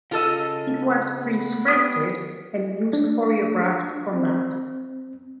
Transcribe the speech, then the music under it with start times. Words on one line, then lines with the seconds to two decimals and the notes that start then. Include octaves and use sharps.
It was pre-scripted and used choreographed combat.
0.11 C#3 F4 A4 D#5 E6
1.18 B3
1.68 G4 D#6
2.93 D4
4.14 C4